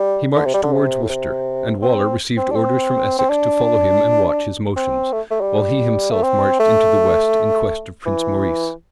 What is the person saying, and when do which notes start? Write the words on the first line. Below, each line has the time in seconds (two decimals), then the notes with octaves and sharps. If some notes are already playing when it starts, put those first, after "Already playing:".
He marched towards Worcester; and Waller received orders from Essex to follow him and watch his motions, while he himself marched into the west, in quest of Prince Maurice.
Already playing: G3
0.36 D3
0.46 C3
0.54 G3
0.63 D3
0.73 C3
1.03 A2
1.09 C3
1.82 C4
2.37 C4
2.51 D4
2.56 C4
3.19 C4
3.30 D4
4.76 C4
5.13 A3
5.31 A3
5.41 G3
6.12 A3
6.23 C4
6.60 A3
8.06 E3